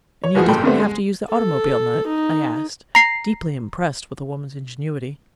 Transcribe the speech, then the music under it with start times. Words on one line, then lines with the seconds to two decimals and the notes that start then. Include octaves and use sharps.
"And you didn't have to use the automobile nut?" I asked, deeply impressed with the woman's ingenuity.
0.24 C#5
0.35 F#1 E3 F3 F#4 G#4
0.48 F#1 G2 A#2 A4 G5 B5
0.64 D3 G3 A3 B3 C4
0.80 G#3
1.29 A4
2.07 D#4
2.95 A#5 C7